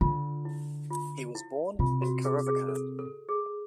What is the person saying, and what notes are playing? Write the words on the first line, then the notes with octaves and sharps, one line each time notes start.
He was born in Kirovakan.
D3 F4
E4
F4
E4
C3 F4
F#4
G#4
G#4
A4
A4
G#4